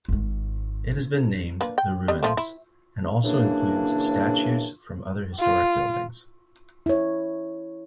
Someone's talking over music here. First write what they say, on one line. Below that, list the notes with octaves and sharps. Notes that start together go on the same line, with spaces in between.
It has been named "The Ruins" and also includes statues from other historic buildings.
G#1 G#2
A#3 D4 B4
G5
G3 C4 D#5
F3 A3 A#3
E4
F#2 C#3 E3 A#3 D4
F4
E4 C#5